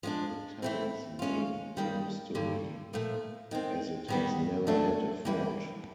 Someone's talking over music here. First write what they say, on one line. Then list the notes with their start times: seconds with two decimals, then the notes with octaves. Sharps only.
The town's name is a mystery, as it has never had a fort.
0.03 F3 G#3 B3 D4
0.62 E3 A3 C4 E4
1.19 G#3 C#4 F4
1.77 G2 D#3 G3
2.35 G2 D3 F#3
2.93 A#2 F3 A3
3.51 D#3 G#3 C4
4.08 D#3 G3 B3
4.67 F2 D3 F#3 A3 D4
5.25 C3 E3 G3 A#3